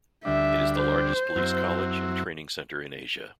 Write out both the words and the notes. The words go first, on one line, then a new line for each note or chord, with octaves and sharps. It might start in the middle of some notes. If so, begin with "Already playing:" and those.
It is the largest police college and training center in Asia.
D2 D3 G3 D4 E5
C5
F#2 F#3 C4 E4